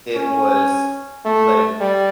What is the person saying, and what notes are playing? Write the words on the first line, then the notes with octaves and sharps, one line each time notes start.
it was i like,
C#4
A3
G3